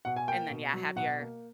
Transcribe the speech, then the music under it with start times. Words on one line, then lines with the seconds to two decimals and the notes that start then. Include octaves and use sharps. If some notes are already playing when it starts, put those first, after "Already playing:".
and then, yeah, have your
0.05 B2 F#5
0.16 G#5
0.28 A#3 G5
0.50 B2
0.74 F#3
0.96 B2 F#5
1.19 A#3